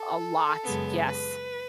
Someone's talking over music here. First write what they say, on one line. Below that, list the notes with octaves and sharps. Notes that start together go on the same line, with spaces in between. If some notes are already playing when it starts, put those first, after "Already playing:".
a lot, yes,
Already playing: A4
F#2 C#3 G#3 B3
B4